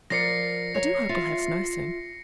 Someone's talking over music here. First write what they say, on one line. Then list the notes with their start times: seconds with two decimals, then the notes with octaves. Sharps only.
I do hope we'll have snow soon.
0.10 F3 A#4 D5 A#6 C7 C#7
0.75 C#5 A#5
1.09 F4 E5